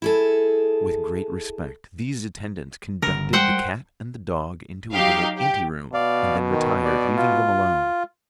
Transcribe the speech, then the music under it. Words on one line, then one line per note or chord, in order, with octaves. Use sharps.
With great respect, these attendants conducted the cat and the dog into a little ante-room, and then retired, leaving them alone.
E4 G#4 A4
G1 C#3 A#4
G3 G#3 C5 F#5 G5
F#3 D#4 G4 F5
G4
B2 D5 F5
D#3
D5
F4